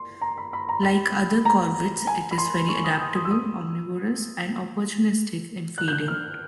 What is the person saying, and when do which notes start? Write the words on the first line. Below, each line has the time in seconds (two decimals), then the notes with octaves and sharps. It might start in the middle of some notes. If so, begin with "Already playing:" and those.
Like other corvids it is very adaptable, omnivorous and opportunistic in feeding.
Already playing: C6
0.21 A#5
0.38 B5
0.53 B5
0.69 A#5
0.83 B5
1.45 A#5
2.07 G#5
2.31 B5
2.38 C6
2.68 C#6
2.84 D#6
2.99 D#6
3.15 D#6
3.25 E6
3.31 D#6
5.78 F#6
5.88 G6
5.92 F#6
6.08 F6